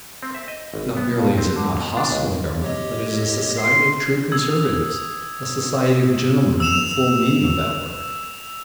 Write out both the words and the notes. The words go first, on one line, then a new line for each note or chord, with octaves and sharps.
Not merely is it not hostile to government, but it is a society of true conservatives--a society of gentlemen in the full meaning of that word.
C4
E5
D#5
G#1
B3
F2
C4
D3
B2
D4
C#2
G4 C#5 D#5
C6
D#6 E6 G#6
E6 E7 F7